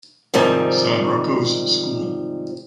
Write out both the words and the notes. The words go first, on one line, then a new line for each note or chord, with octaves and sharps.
San Rocco’s School.
G#2 C3 D#3 F3 G3